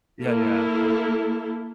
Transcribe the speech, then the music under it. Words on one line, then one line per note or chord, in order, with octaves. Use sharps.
yeah yeah
A#3 E4 A4